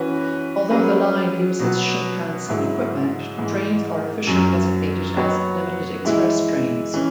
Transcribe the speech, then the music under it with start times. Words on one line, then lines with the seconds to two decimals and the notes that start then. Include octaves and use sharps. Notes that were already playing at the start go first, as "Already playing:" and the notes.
Although the line uses Shinkansen equipment, trains are officially designated as limited express trains.
Already playing: E3 C#4 F#4 B4
0.70 F#3 C#4 G#4 B4
1.59 B2 F#3 B3 F#4
2.49 G#2 F#3 E4 G#4
3.38 G#2 E3 G#3
4.27 F#2 F#3 C#4
5.16 F#3 B3 F#4 C#5
6.05 E3 G#3 E4
6.94 E3 C#4